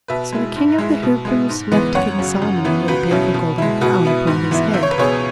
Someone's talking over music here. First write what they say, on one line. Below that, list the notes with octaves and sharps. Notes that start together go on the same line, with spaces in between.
So the King of the Hoopoes left King Solomon with a beautiful golden crown upon his head.
B2 B4 E5
G#3 E4
G#2
G#3 E4
B2
G#3 B3 E4
G#2
E3 G#3 B3
F#2 C#5 F#5
C#3 F#3 C#4
F#2
E3 B3 E4
C#2 F#4 B4
B2 F#3 C#4 E4
B2
G#3 E4
B2 F#4 B4
B3 E4
G#2
E3 B3 E4
C#2 E5
C#5
B4
B2 B3 G#4 C#5